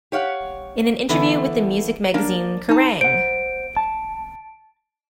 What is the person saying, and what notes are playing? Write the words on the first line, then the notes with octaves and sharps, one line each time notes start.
In an interview with the music magazine Kerrang!
G4 C#5 F5 F#5
D3 E3 A3 B3
A#3 D4 A#4
D#4 A5
C5 F#5 D7
A5